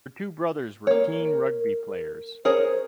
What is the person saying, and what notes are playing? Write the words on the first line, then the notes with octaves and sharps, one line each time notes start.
Her two brothers were keen rugby players.
A#3 A#4 C#5
A#4
G#4 A#4 C5 C#5